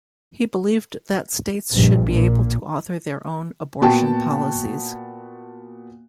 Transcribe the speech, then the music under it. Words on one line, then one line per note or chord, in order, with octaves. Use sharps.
He believed that states should be able to author their own abortion policies.
A#1 G2
A#2
A#2 B3 F#4 G5 A5